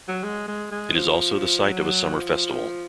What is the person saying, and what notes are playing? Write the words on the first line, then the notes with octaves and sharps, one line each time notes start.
It is also the site of a summer festival.
F#3
G#3
G#3
G#3
F3
F#3
F3